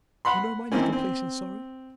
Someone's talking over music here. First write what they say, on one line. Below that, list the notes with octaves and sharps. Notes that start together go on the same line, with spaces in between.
You know my little place in Surrey?
F#5 B5 C6
D#3 E3 A#3 C4 C#4
C4